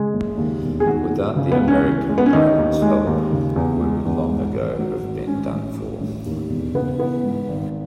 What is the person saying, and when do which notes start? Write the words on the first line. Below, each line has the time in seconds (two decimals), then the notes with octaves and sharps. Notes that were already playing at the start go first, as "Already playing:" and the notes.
Without the American pilots' help, we would long ago have been done for.
Already playing: C#3 G#3 G#4
0.13 F#1
0.37 D#2
0.62 E1
0.80 G#4
0.86 D#3 F#3 F#4
1.11 F#3
1.36 C#3
1.52 B3
1.61 C#2
1.68 C#4
1.85 E3
2.09 G#3
2.18 B3
2.26 C#4
2.33 D#3 D#4
2.58 D#2
2.82 G#3
3.07 D#2
3.32 C#3
3.56 E2
3.81 G#3
4.05 E2
4.29 G#2
4.55 G#1
4.79 F#3
5.02 G#1
5.27 G#2 C#4
5.52 A1
5.76 F#3
6.01 A1
6.26 D#2
6.50 E1
6.74 C#3 B3
6.98 E3 B3
7.23 G#2
7.48 G#1